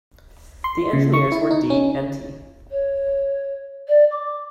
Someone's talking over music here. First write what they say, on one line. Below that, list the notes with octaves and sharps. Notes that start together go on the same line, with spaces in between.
The engineers were D. and T.
C6
C#3
C#6
E4
D#4
C#4
C#5
D5
D6